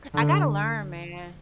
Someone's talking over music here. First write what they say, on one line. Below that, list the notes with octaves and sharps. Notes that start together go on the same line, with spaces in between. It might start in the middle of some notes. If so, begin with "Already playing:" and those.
I gotta learn, man.
D3